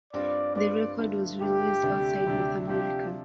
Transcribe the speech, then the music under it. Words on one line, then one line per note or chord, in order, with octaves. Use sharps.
The record was released outside North America.
G2 G3 C4 F4 D5
G2 G3 C4 F4 D5
G2 D3 A3 D4 F4
G2 D3 A3 D4 F4 G4
D2 C3 A3 D4
D2 C3 A3 D4
C3 F3 D4 F4 G4